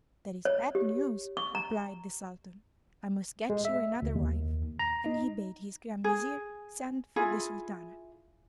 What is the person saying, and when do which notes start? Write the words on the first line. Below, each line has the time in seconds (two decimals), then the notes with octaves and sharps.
'That is bad news,' replied the Sultan; 'I must get you another wife.' And he bade his Grand Vizir send for the Sultana.
0.45 C#5
0.75 G4
1.37 C#6
1.55 A#5
3.50 G#3
3.65 E5
4.02 D2
4.15 D#2
4.79 A#5
5.06 D#4
6.04 G#4
7.16 E4 F4 G#4